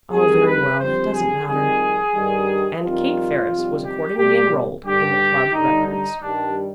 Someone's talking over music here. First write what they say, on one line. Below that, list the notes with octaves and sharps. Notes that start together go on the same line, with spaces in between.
"Oh, very well; it doesn't matter." And Kate Ferris was accordingly enrolled in the club records.
F2 D#3 G3 G#4
B4
F2 D3 G3 C5
G#4
F2 D#3 G3 G#4
G2 D#3 G3
F2 D#3 G3 F4
F2 C3 D#3 G3
G4
B2 G3 G4
G2 D3 G3 G4
G2 D3 G3 D#4
D#4
G2 D#3 G3 D4